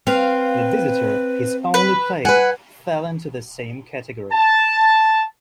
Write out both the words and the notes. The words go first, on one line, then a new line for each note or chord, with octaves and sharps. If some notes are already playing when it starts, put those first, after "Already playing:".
"The Visitor", his only play, fell into the same category.
C4 B4 F5
B4
B4 F#5 G#5
A5